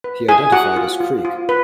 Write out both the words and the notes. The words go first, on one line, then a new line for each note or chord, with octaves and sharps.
He identified as Creek.
B4
E4 G#4 G#5
F#4 G4 F#5
F4
F4
F4
B4